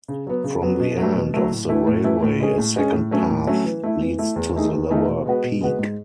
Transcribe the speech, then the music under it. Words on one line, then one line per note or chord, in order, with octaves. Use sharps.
From the end of the railway a second path leads to the lower peak.
C#3
F#3 B3
C#3
F#3 B3
B2
F#3 A3
B2
F#3 A3
A2
E3 A3 E4
A2
E3 A3 E4
A2
G#3 C#4 G#4
A2
G#3 C#4 G#4
A2
F#3 A3 C#4
A2
F#3 A3 C#4
E3
A3 E4
E3
A3 E4
E2
D#3 A3 D#4 G#4
E2
D#3 A3 D#4 G#4
B2
G#3 B3 F#4 B4
B2
G#3 B3 F#4 B4
G#2